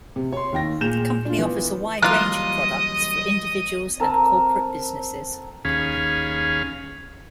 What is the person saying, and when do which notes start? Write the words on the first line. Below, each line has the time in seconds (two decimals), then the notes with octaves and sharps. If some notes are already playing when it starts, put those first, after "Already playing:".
The company offers a wide range of products for individuals and corporate businesses.
0.16 C3
0.32 C#5 C6
0.52 D#2 D#3 G5 A#6
0.81 A#2 G#4 G6 E7 F7
1.25 D4 F4
1.39 E3 B3 F4
2.02 E3 F#3 G3 A#3 F4 D#5 F#6
4.00 C4 A4 A#4 A5
5.65 D#2 C#4 G#4 F5 B5